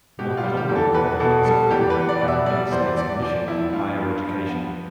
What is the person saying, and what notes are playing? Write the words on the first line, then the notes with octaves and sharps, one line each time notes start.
Montgomery College is accredited by the Middle States Commission on Higher Education.
B2 G4
F4
G3
G4
E2
A4
E2 B4
B2 A4
G3 A4
E2 G4
B4
E2
D5
B2
E5
G3 D5
E2 C5
E2 D5
F3 D5
B3 E4
G2 F4
G2
F3
B3